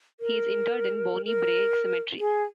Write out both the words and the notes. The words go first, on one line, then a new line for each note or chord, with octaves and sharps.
He is interred in Bonnie Brae Cemetery.
A#4
A#4
G#4